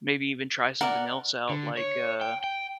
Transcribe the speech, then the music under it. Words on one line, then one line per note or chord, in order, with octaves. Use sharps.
maybe even try something else out like, uh
A#4 D5 F#5
D3
C#5
G5
G5